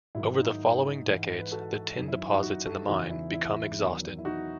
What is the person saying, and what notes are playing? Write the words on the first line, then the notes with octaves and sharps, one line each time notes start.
Over the following decades, the tin deposits in the mine become exhausted.
G#2 D#3 F#3 E4
D#4
G#2 E3
B4
F#4 A4
F#2 D#3 F#3 D#4
E4
D#4 F#4
D#4 F#4
F#4 A4
E2 C#3 E3 D#4 F#4
E4
E4
E2 D#3 F#3
E4
D#4 F#4